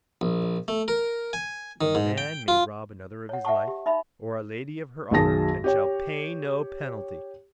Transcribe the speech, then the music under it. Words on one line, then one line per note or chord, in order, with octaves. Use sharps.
But a man may rob another of his life, or a lady of her honor, and shall pay no penalty!
A#1
A3
A#4
G#5
D#3
G#2
G5
F4
C#5 F#5
E5 F#5 A5 C#6
G4
D#4 E5 B5
B1 F#2 D#3 G#4 A5 A#6
G4 C#5 G5